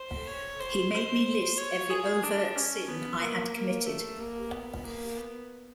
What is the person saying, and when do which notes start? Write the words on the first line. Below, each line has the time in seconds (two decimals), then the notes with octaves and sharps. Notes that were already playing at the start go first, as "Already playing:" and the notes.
He made me list every overt sin I had committed.
Already playing: C5
0.28 C#5
0.60 C5
0.93 C5
1.58 C#5
1.90 G#4
2.23 D4
2.55 C#4
2.88 B3
3.21 A#3
3.54 A#3
3.86 A3
4.20 A#3
4.52 B3
4.84 A#3
5.17 B3